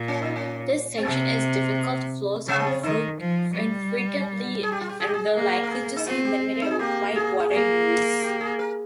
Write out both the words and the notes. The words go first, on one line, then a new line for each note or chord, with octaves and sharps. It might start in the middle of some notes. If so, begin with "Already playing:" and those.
This section is difficult, flows infrequently, and will likely see limited whitewater use.
Already playing: A#2
C#4
D#4
C#4
C4
C3 A#3
C#3 G#3
A#3
C4
D#3 D#4
F3
G3
G#4
G4
F4
G4
G#4
G4
G#4
A#3
A#4
G#4
D#4
C4 F4
G4
D#4
G#4
A#3 G4
G#4
A#3
G4
G#4
A#4